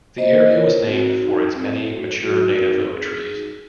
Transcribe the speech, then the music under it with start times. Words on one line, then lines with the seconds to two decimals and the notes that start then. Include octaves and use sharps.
The area was named for its many mature native oak trees.
0.18 A#3 C5 D#5
0.52 F4 A#4 C#5
0.86 C4 F#4
1.20 D#4 F#4
1.55 C4
1.89 F#4
2.23 F#3 F#4
2.57 C4 D#4
2.90 C4 G#4
3.25 D#4 F#4